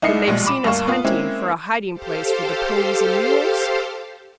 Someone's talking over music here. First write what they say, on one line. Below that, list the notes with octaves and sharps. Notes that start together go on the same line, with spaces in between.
"Then they've seen us hunting for a hiding-place for the ponies and mules?"
C2 D#4 E4 C7 C#7
A#1 B2 G3 G#3
B5 D6 E7
D2 G2 A#3 F5 C#6 E7
B3 F4
G#3 A#3 C4 C#4 E4
G4 A4 C5 F5